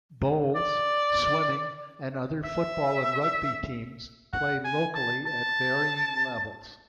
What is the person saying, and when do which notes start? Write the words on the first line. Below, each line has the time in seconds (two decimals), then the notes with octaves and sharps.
Bowls, swimming and other football and rugby teams play locally at varying levels.
0.55 D5
2.45 E5
4.33 F#5
4.64 G#5
4.95 A5
5.26 A5